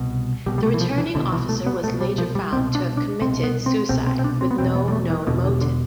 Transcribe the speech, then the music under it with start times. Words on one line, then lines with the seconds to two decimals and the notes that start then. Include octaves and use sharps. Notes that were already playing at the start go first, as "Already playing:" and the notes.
The Returning Officer was later found to have committed suicide with no known motive.
Already playing: C2 B2
0.46 C2 B2 G3
0.58 G3
0.63 A3
0.74 E3
0.81 F3
0.98 E3
1.15 C2 B2 D3
1.32 E3
1.49 A3
1.66 B3
1.83 C2 A3
1.87 B2
2.01 G3
2.18 F3
2.35 G3
2.52 C2 C4
2.56 B2
2.75 D4
2.97 D4
3.21 C2 C4
3.25 B2
3.44 B3
3.66 C4
3.89 C2 B2 C4
4.07 C4
4.19 C4
4.24 D4
4.41 C4
4.51 B3
4.58 E1 E2 B2 C4
4.75 B3
4.88 G3
4.92 A3
5.10 E3
5.27 E1 E2 B2 D3
5.44 D3
5.61 D3